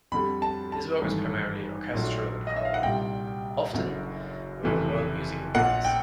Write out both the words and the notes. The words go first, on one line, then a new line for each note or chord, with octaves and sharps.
His work is primarily orchestral and choral, often with a world music influence.
F2 D3 G3 B5
A5
A5
G#1 G2 E3 A3
A#1 A#2 F#3 A3 D4
D#5
E5
F5
F#5
C2 A#2 G3 G5
F#1 F#2 D3
F#1 F2 C3 E3 A3
A#1 A#2 F3 A#3 F#5
G5